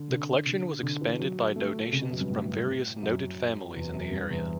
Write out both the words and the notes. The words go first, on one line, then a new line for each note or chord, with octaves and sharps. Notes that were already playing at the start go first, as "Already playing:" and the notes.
The collection was expanded by donations from various noted families in the area.
Already playing: D3
D3
D3
D3
E3
F#3
A3
C#3
B2
F#2
G2
A2
F#2
E2
F#2
G2
E2